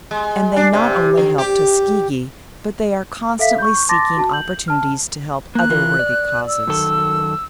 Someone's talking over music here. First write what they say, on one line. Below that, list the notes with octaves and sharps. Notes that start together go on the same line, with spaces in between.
And they not only help Tuskegee, but they are constantly seeking opportunities to help other worthy causes.
G#3
D4
C3
D3
G4
A4 E5 F5 B6
C#6 G6
A5 C6 D6 A6 A#6
F#4 A5
G6 F#7
A5 F6
A#3 F#6
E3 F4 A#4
D5
E6
F#2 D#3 A4